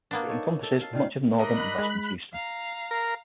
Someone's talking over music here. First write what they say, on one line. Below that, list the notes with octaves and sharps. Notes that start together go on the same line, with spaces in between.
It encompasses much of northern and western Houston.
A#3 B3 D4
D#4 A4 C#5
A4
A4 F5
A#2 D#3 F5
D#3 G3 A#4 D#5 B5 F#6
G#3
F5 A#5
A#4